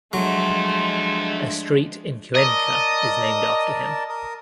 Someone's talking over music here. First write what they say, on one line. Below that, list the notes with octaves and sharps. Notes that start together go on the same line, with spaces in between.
A street in Cuenca is named after him.
D#2 F3 F#3 G#3 A3 D4 C6
A#4 D5 D#5 A5
A#4 D#6